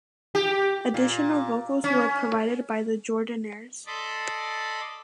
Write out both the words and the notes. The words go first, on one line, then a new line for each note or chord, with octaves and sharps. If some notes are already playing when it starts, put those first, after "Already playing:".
Additional vocals were provided by The Jordanaires.
G4
A#2
C#4
A4 D5 D#5 B5 C6 D6